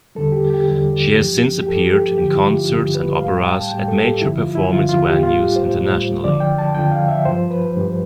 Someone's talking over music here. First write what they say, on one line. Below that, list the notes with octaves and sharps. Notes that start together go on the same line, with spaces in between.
She has since appeared in concerts and operas at major performance venues internationally.
E2 D3 G3 A4
G4
G4
E2 D3 G3
G2 F3
G4
G2 F3 A4
G4
G2 D3 F3 G4
E4
F4
G2 D3 F3
B4
A2 G3 F5
G5
A5
A2 G3 G5
A4
G4
G2 D3 F3 E4
F4
E4
G2 D3 F3 F4
F4
G4
A2 G3 F4
G4
C5
A2 G3
F2 D3 F3 D5
G5
A5
F2 D3 F3 G5
F5
E5
G2 F3 C5
B4
G2 F3